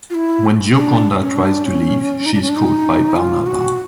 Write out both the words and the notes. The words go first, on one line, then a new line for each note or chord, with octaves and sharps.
When Gioconda tries to leave, she is caught by Barnaba.
F4
E4
D4
C#4
D4
C#4
D#4
D4
C#4
D4
D#4
F4
F#4